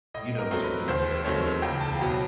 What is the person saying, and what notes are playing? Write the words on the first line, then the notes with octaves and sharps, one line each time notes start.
you know MrBeast, right, the the
A2 D#5
A#4
F#3 A3 C4
B4
D#2 C5
D#3 F#3 A3 C4 C#5
C#2 G5
A5
B2 F#3 B3 G5